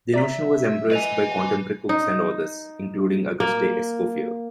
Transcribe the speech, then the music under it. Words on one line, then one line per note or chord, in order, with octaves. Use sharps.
The notion was embraced by contemporary cooks and authors, including Auguste Escoffier.
D5 E5 A#5 B6
B4 D#5 G#5 F7
D#4
A#3